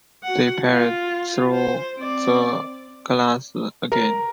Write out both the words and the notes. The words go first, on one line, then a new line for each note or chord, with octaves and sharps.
They peered through the glass again.
F#4 F#5
F4
C5
C4 D5
A#4